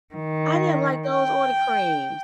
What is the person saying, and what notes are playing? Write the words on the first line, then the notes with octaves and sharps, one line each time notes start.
I didn't like those or the creams.
D#3
G5